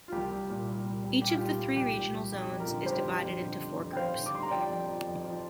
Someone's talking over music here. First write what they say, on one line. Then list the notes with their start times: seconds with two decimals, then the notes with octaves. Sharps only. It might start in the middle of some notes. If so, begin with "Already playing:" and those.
Each of the three regional zones is divided into four groups.
0.08 F4
0.12 C2 G4
0.31 C2
0.50 A#2
0.68 G3
0.86 C2
1.04 C2
1.22 A#2 G4
1.29 F4
1.37 G3 G4
1.58 C2
1.77 C2 G4
1.96 A#2
2.13 G3
2.32 F2 G4
2.50 F2
2.60 F4 A#4
2.68 D3
2.86 G3 G4 C5
3.05 F2
3.23 F2
3.42 D3
3.59 G3
3.78 F2
3.92 G5
3.96 F2 C5 F5
4.14 D3
4.26 D6
4.33 G3 C6
4.42 A#5
4.51 F3 D5 G5
4.69 F2
4.87 F3
5.06 F2
5.24 F3